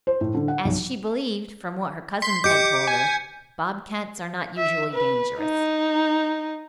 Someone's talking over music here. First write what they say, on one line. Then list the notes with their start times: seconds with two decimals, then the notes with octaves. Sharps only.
As she believed, from what her cousins had told her, bobcats are not usually dangerous.
0.07 C5
0.21 A2
0.35 D3
0.48 F#5
0.65 B1
2.22 C6 B6
2.44 G4 D#5 D6 G6 C#7
2.87 G#5
4.57 E5
4.93 B4
5.40 D#4